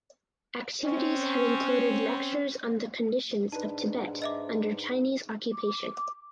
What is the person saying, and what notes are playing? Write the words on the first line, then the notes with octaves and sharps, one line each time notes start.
Activities have included lectures on the conditions of Tibet under Chinese occupation.
C4 C#4
G#2 D4 D#4 B4 A5
D#5 E5 D6
D6